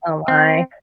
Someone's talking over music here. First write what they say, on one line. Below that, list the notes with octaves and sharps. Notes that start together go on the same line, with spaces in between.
Oh my.
C4